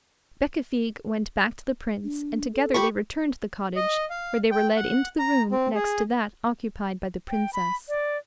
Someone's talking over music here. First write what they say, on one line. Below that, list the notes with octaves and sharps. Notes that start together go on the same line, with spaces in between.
Becafigue went back to the Prince and together they returned to the cottage, where they were led into the room next to that occupied by the Princess.
D4
A4
G4 B5 C#6
D#5
F5
G5
F#5
A#5
C4
G#4
G5
B5
D5